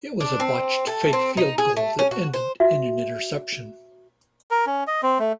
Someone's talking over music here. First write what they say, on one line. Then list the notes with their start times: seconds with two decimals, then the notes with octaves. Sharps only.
It was a botched fake field goal that ended in an interception.
0.20 D4
0.40 C4
0.87 A3
1.13 C4
1.37 D#4
1.58 G#4
1.77 A3
1.99 C#4
2.11 F#4
2.34 C5
2.60 F#4 E5
4.51 A#4
4.66 C#4
4.87 D#5
5.03 C4
5.19 A3